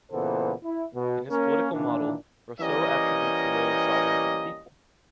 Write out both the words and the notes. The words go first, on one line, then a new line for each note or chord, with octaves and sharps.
In his political model, Rousseau attributes the role of sovereign to the people.
A#2 C#3 E3 B3 A4 C5
E4
B2
A#3 C#4 A#4
A#2 D#3 E3 D4
E3 G3 A#3 C#4 G4 D#5